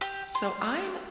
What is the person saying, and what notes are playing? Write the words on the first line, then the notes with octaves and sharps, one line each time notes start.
So, I'm
G4
C6